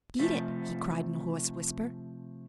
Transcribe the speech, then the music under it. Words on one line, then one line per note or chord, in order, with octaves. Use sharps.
"Beat it!" he cried in a hoarse whisper.
C3 F3 A3